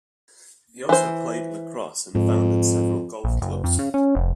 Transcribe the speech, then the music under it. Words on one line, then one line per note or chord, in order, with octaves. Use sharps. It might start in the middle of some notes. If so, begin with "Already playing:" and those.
He also played lacrosse and founded several golf clubs.
E3 C5
F2 G#2
A#1
F#1
F2
C#3
C#4
F1